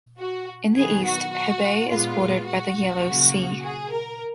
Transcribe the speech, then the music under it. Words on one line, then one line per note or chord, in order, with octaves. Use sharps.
In the east, Hebei is bordered by the Yellow Sea.
F#4
D#3 F#3 B3 G#4
F#4
F#4
A#2 G#3 B3 F4
F#4
C#3 F#3 A#3
G#4
A#4